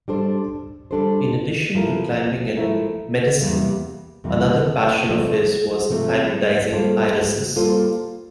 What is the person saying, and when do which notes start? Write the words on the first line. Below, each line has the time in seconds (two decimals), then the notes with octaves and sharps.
In addition to climbing and medicine another passion of his was hybridizing irises.
0.08 G3 D4 A4 C5
0.91 G3 D4 A4 C5
1.75 F3 A3 E4 A#4
2.57 F3 A3 E4 A#4
3.41 E2 C3 G3 A#3
4.24 E2 C3 G3 A#3
5.06 C3 F3 A3 C4
5.90 C3 F3 A3 C4
6.72 G3 A#3 F4 A4 C5
7.56 G3 A#3 F4 A4 C5